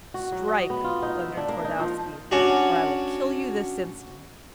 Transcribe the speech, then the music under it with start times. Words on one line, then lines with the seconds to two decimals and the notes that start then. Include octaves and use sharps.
"Strike!" thundered Twardowski, "or I will kill you this instant."
0.14 F#4
0.32 F#3
0.48 D#5
0.70 B3
0.84 F4
1.02 D#4
1.20 E5
1.37 D4
1.49 A#3
1.64 D#4
1.79 F3
2.31 C#4 D4 F#4